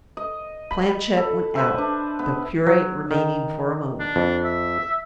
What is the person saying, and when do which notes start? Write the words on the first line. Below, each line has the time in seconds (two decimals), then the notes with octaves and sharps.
Planchet went out, the curate remaining for a moment.
0.17 D#5
0.71 B5
1.17 A4
1.56 B4 C5 E5
1.78 D4
2.19 B3
2.67 F#3
3.11 D#3
3.99 D4
4.16 F2
4.44 E5